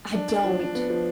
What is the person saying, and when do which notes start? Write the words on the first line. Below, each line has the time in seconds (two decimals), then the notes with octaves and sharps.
I don't.
0.15 D4
0.29 D4
0.44 F3
0.59 D4
0.75 B3
0.90 F3